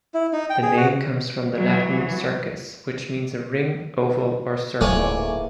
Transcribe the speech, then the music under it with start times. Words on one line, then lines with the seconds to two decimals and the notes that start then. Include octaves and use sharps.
The name comes from the Latin 'circus', which means a ring, oval or circle.
0.14 E4
0.33 D#4
0.50 G5
0.63 G#4
0.77 F#4
1.53 E3 F#3
4.81 D1 G#2 E3 A3 A#3 C#5 D5 G#5